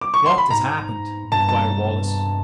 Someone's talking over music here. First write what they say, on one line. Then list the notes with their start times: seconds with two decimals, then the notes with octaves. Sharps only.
"What has happened?" inquired Wallace.
0.01 D6
0.14 C#6
0.26 C6
0.38 B5
0.50 G#2 A#5
1.32 G2 A5
1.49 A5